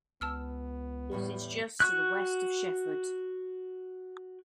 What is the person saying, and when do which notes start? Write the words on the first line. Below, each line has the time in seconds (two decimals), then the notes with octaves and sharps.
It is just to the west of Shefford.
0.21 C#2 B3 A5 E6 F6
1.12 E2 A2 G3
1.80 F#4 C#6 F#6